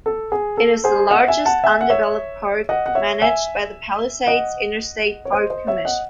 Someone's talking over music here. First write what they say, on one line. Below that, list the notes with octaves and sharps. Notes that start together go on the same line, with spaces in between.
It is the largest undeveloped park managed by the Palisades Interstate Park Commission.
A4
G#4
A4
G#4 C5
D#5 F#5
E5 G#5
F#5 A5
E5 G#5
F#5
C#5 E5
D#5 F#5
F#5
C#5 E5
E5 G#5
D#5 F#5
C#5
C5 D#5
C5 D#5
C#5 E5
D#5 F#5